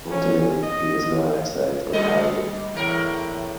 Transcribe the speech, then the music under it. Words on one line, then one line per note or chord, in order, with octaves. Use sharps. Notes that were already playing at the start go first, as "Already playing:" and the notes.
Ultimately, he is not excised entirely.
C#4
D#5
G3 G#3 D#5
E2 A2 A#4